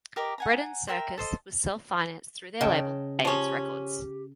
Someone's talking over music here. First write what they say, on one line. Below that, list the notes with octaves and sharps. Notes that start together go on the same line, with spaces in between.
"Bread and Circus" was self-financed through their label, Abe's Records.
G4 A#4 D#5 D6
F#5 G#5 A#5
A#4 E5 G5 C6
A4 C5 D#5
C#3 D#5 G5 A5
F3 C#4 G4